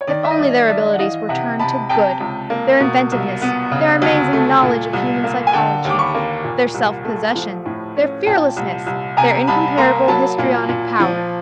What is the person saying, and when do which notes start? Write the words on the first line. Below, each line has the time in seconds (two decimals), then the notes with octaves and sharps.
If only their abilities were turned to good--their inventiveness, their amazing knowledge of human psychology, their self-possession, their fearlessness, their incomparable histrionic powers!
0.01 C#5
0.07 D#3 D5
0.24 E5
0.30 D#5
0.38 G2 D5
0.68 G2 D5 E5
0.93 F#5
0.99 E3 D#5 F5
1.29 C3 E5 F#5
1.59 C3 A5 B5
1.89 C3 G5 A5
2.21 C#2
2.50 A#3
2.80 B2
3.12 C2
3.42 B3
3.71 C#3
4.02 D2
4.33 A3
4.63 A#2
4.93 C2
5.24 A#3
5.47 G#5
5.53 D3 G5 A5
5.85 D#2 D6
5.99 B5 C#6
6.15 A#3
6.44 A#2
6.74 C2
7.05 A3
7.35 F3
7.66 A2
7.97 C#4
8.26 A#2 G5 A5
8.57 C2
8.87 C2
9.17 C3 G#5 A#5
9.47 C2 A5 B5
9.78 A#3 A#5 C6
10.08 F#3 A5 B5
10.38 A#2
10.69 A#2
11.00 F3